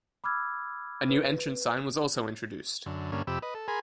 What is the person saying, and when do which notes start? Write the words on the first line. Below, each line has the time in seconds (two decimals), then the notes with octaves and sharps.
A new entrance sign was also introduced.
0.24 B5 D6 E6 F6 G#6
1.09 B4
2.86 F#2 D3
3.12 G2 D3 A#3 C#4
3.27 F2 C3 G4 B5 E6
3.42 B4 D#5
3.55 A4
3.68 G#4 A#4 G#5 B5 C6